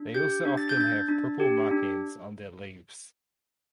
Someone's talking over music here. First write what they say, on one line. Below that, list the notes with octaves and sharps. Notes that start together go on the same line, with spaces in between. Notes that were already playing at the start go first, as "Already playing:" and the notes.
They also often have purple markings on their leaves.
Already playing: D4
G4 G6
D4
A6
G6
D4 A6
D4
G4
D4